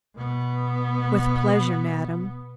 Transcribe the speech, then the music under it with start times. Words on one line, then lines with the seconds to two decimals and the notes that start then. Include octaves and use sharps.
"With pleasure, madam."
0.15 B2 B3